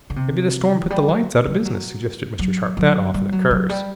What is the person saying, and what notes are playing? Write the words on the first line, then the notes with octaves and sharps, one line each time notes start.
"Maybe the storm put the lights out of business," suggested Mr. Sharp. "That often occurs."
D3
C3
F#3
G3
F#3
G3
F#3
F#3
F#3
G3
F#3
F#3
G3